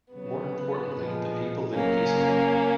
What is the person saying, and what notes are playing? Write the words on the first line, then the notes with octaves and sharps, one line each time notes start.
More importantly, the people live peacefully.
C#3 F#3 B3
A#2 F3 G#3
C#3 F#3 A#3 C#4